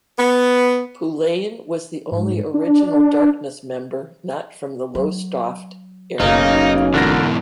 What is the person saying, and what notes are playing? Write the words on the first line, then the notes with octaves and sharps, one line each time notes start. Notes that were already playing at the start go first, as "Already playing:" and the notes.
Poullain was the only original Darkness member not from the Lowestoft area.
B3
G#2
D4
F#3
F#1 B1 C#3 A#3 C#4 D#4
G#2 B2 D3 E3 A#4 A#6